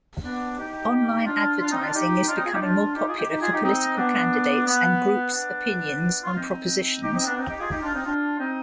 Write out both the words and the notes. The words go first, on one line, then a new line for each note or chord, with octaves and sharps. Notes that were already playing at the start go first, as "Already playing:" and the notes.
Online advertising is becoming more popular for political candidates and group's opinions on propositions.
B3 D4
D#4 G4
D4 F4
D4 F4
C4 D#4
D4 F4
D#4 G4
D4 F4
C4 D#4
F4 G#4
D#4 G4
D4 F4
D#4 G4
F4 G#4
D#4 G4
D#4 G4
F4 G#4
D#4 G4
C4 D#4
B3 D4
B3
B3 D4
F4
C4 D#4
D#4 G4
C4 D#4
B3 D4
C4 D#4
D#4 G4
F4 G#4
D#4 G4
D4 F4
C4 D#4
D4 F4
C4 D#4